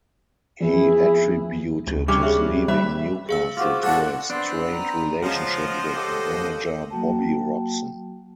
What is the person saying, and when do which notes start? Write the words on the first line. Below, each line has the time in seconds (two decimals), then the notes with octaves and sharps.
He attributed his leaving Newcastle to a "strained relationship" with manager Bobby Robson.
0.61 F2 B3 E4 G#4
1.87 D2
2.08 C3 G3 C#4 D4 D6
2.23 G#4 C#5 E5
2.68 G3 C5 E5 B5
3.29 G#4 F5 E6
3.57 F4 F#4 C5 D6
3.83 D4 A4 F#5 D6 F#6
4.30 B3 C4 D4 D5 G5 C6
4.71 A#5
5.22 C#2 F3 C5 D#5 F5 F#5
5.95 G4 A4
6.31 D#2
6.90 F#3 A#3 F#4 G5 A5